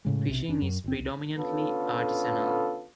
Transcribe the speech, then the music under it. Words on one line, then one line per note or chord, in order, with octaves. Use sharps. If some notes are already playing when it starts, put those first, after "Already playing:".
Fishing is predominantly artisanal.
A2 C#3 G#3
B1 C3
F#1 C#4 D4
F#2
G1 C4
C2
D3 B3 C#4 F4 A4